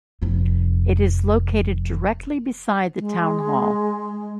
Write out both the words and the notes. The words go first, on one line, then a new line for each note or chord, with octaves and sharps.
It is located directly beside the Town Hall.
F1 F2
G#3